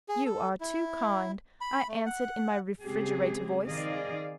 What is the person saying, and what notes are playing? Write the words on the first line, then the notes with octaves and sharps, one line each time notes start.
'You are too kind,' I answered, in my refrigerator voice.
G#4
A4
E4
B5
A3
F#5
C#3 G#3 C4 G4 G#4
D#3 C4 G#4 D5 D#5 F5